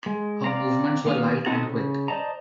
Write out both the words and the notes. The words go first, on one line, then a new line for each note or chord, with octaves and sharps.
Her movements were light and quick.
G#3
C4 D5 F5 A#5
D#3 A#3 B3 F5 G#5
C4 D#4 F#4 A4
C#3
C5 D5 D#5 A5 A#5